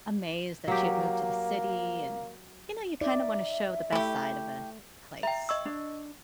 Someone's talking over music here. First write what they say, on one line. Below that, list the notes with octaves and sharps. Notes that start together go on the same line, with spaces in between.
amazed that she had moved to the city, and, you know, you kind of wanna show the best side of a place,
F#3 A#3 G4
D#4 D5 E5
A3 E4 G4
E5 G5 A#5
D#5 C#6 E6
D4